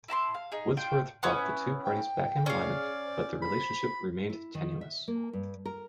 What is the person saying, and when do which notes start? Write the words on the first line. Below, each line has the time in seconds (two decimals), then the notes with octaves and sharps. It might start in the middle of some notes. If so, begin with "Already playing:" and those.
Woodsworth brought the two parties back in alignment, but their relationship remained tenuous.
0.08 E4 A5 B5 C6
0.35 F5
0.52 D#4 G#4
0.77 D4 F4 G5
1.23 B3 C#4 E4
1.83 G5
2.46 C#4 G#4 D5 F5
3.04 C5
3.42 B5
4.30 E4
4.55 D#3
4.81 E5
5.08 A#3
5.33 G2
5.66 A#4